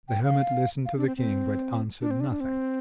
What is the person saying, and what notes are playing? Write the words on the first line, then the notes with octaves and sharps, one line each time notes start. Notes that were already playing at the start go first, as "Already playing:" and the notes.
The hermit listened to the King, but answered nothing.
G5
F5
F5
D4
C4
C4
D4
C4
D4
D4
C4